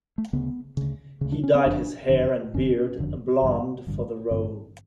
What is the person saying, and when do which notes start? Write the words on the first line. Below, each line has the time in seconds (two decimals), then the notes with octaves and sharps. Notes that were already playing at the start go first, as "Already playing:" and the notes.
He dyed his hair and beard blonde for the role.
0.18 A3
0.33 D2 C#3 B3
0.77 D2 C#3
1.21 D2 C#3
1.32 D4
1.43 C#4
1.55 C4
1.66 F#1 F2 D3 D4
2.09 F#1 F2 D3
2.54 F#1 F2 D3 C#4
2.99 F#1 F2 D3
3.42 A1 G2 D3
3.87 A1 G2 D3
4.31 A1 G2 D3 C4